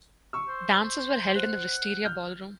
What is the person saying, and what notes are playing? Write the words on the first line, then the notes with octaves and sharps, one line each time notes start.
Dances were held in the Wisteria Ballroom.
C#6 E6
C5
C5 F#5
F6 G6